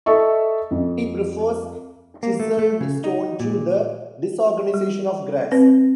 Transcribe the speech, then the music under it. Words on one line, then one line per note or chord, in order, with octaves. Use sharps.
He prefers chiselled stone to the disorganization of grass.
A4 D#5 E5 C#6
F2
A#3
A3
A3
C#3
D#4
A#2
G3
C4 B4